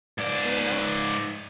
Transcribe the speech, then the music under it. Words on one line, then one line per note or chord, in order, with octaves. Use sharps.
"Fear not!"
G#2 D5